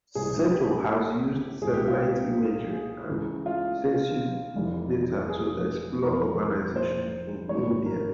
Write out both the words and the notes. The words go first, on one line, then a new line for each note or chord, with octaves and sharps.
Seto has used satellite imagery and census data to explore urbanisation in India.
C2 C3 G3 G#4
G4
C2 A#2 G#3 G#4
G4
F4
G4
G#4
C#2 C#3 E3
F4
F1 F2 E3 G3
G#4
F1 F2 E3 A#4
C5
G#1 G2 E3 C#5
A#4